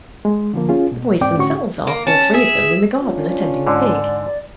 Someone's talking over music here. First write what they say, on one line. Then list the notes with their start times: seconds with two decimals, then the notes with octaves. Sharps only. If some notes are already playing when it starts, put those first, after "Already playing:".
The boys themselves are, all three of them, in the garden attending the pig.
0.25 G#3
0.54 D3 F3 A#3
0.69 C#4 F4 G#4
0.91 B2
1.21 E2 G#2 C4 D5 G5 D6
1.37 A2 D3 C#4 F#4 C#6
1.87 A#3
2.07 C#4 A5
2.34 G#4 E5
3.02 C#4 D4 F4
3.66 G#2 D3 D5